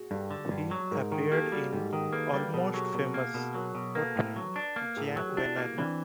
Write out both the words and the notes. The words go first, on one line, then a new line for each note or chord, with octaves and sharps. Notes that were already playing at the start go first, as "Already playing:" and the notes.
He appeared in "Almost Famous", portraying Jann Wenner.
Already playing: F#4 G#4
G2 G4 A4
D3
G2
F#3
G#2 G#4 A#4
D#3 G#4 A#4
A#3 G4 A4
G3 F#4 G#4
G#2 G4 A4
D#3 G#4 A#4
A#3 A4 B4
G3 A4 B4
B2 G#4 A#4
F#3 G4 A4
B2 G#4 A#4
A#3
B2 G#4 A#4
F#3 G#4 A#4
B2
A#3 A4 B4
A2
F#3
D4
A#3
A2 G#4 A#4
F#3
G4
D4 E4 F#4
A#3
E3 C4 D4